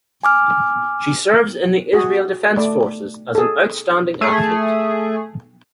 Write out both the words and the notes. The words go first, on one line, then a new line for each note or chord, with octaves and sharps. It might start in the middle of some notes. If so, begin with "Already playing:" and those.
She serves in the Israel Defense Forces as an outstanding athlete.
G#5 D6 F6
F#4 G#4
A3 D5
G#4 A4
A3 G#4